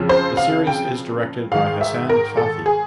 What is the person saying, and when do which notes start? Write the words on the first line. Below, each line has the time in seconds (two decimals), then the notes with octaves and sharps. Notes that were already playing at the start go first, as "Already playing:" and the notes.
The series is directed by Hassan Fathi.
Already playing: F2 C#3 F3
0.09 C5
0.37 F5
0.67 G5
1.51 G#2 D#3 F5
1.81 E5
2.09 A#4
2.37 A4
2.66 G#4